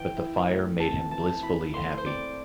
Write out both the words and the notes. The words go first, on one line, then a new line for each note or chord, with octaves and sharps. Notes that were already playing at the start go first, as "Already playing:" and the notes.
But the fire made him blissfully happy.
Already playing: E3 G5
E4
A3
C4 A5
E3 A5
E4 B5
A3 C6
C5
C4 D5